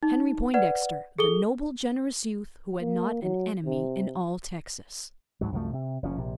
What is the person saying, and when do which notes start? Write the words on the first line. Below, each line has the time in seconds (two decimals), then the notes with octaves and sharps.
Henry Poindexter--the noble generous youth who had not an enemy in all Texas!
0.03 D#4
0.54 B4 D5 F#5
1.18 G#4 A4 G7
2.81 A#3
3.22 F#3
3.66 C3
5.41 D2 G#2 F#3
5.52 C2 F#2 F3 A3
5.73 C3
6.03 F#1 F3 C#4
6.17 A#1 C3